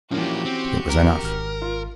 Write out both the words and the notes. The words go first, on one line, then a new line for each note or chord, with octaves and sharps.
It was enough.
E3 F3 A#3 C#4 F#4 G4
C4
A#4
G#1 F6
F4